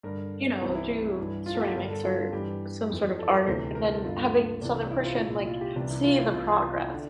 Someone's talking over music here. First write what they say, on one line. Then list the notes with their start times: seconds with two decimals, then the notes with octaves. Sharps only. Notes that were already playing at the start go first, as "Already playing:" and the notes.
you know, do ceramics or some sort of art and then having this other person like see the progress
0.03 G2 D3 A#4
0.61 C2 C3 E3 C5
0.75 E4
1.17 G2 E3
1.46 F4
1.55 A4
1.61 G4
1.75 G2 D3 A#4
1.90 A4
2.04 F4
2.33 G2 E3 G4
2.90 F2 E3
3.19 A4
3.33 A#4
3.47 D2 C3 E3 C5
3.75 A#4
3.90 A4
4.04 G2 D3 F4
4.61 C2 C3 E3 D4
4.91 E4
5.04 F4
5.16 C2 A#2 E4
5.47 F4
5.61 G4
5.76 C2 C3 E3 D4
5.91 E4
6.04 F4
6.19 E4
6.33 C2 C3 E3 F4
6.62 F4
6.76 E4
6.90 D3 D4